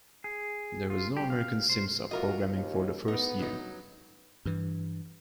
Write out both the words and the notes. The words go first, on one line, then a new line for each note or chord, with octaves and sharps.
There was no American simsub programming for the first year.
G#4
F4
G4
F5
C5
F4 F#4 A#4 D#5
D#2
B3 D#4
F#3 D#4
G2 E3